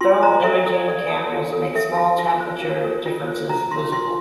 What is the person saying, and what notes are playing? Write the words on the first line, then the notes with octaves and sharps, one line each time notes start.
Thermal imaging cameras make small temperature differences visible.
F4 C6
C5 A#5
A4 E5
A4 E5
D5
A4 D5
A4
F4
A4
A4 E5
F4
F4
C5
F4
A4
F4
C5
F4 A#5
F4 C6
F4 C6